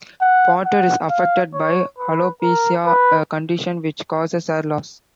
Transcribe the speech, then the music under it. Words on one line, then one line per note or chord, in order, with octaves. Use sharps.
Porter is affected by alopecia, a condition which causes hair loss.
F#5
F#5
F5
C#5
B4
A#4
B4